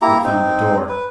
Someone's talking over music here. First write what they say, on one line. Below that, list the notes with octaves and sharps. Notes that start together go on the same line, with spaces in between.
It had found the door!
A#3 E4 G4 A#5
C4 D#4
B4